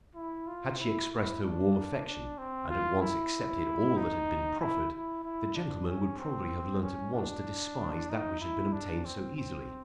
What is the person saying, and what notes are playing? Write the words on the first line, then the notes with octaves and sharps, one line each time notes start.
Had she expressed her warm affection, and at once accepted all that had been proffered, the gentleman would probably have learnt at once to despise that which had been obtained so easily.
E4
F4
E4
E4
D4
D4
C4
F4
E4
D#4
E4
E4
E4
D4
C#4
C4
C#4
D4
D#4
E4
D4
C4
C4